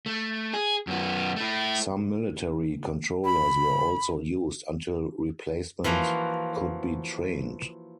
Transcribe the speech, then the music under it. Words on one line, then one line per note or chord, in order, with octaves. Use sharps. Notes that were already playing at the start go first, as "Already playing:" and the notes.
Some military controllers were also used until replacements could be trained.
A3
G#4
F#2 B3
A3 E4
B5
E3 F3 A#3 F#4